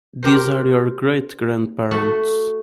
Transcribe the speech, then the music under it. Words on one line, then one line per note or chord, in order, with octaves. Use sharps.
These are your great grandparents.
G4 A#4 C5
A3 F#4